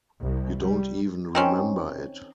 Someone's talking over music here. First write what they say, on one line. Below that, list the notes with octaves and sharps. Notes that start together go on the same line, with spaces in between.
You don't even remember it.
C2
G3
D#3 C4 C#4